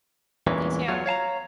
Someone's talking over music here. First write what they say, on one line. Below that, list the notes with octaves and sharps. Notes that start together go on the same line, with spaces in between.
Me too.
E2 G2 A#2 E3 G#3 C#4
E2 F#3 F4 C#5
C#5 F5 A5 A#5